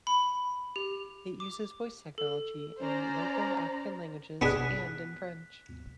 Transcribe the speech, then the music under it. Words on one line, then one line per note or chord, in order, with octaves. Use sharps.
It uses voice technology in local African languages and in French.
B5
G4
D6
A4
C#4 C5 D5 A#5
B3 D4 G#4 F#6 B6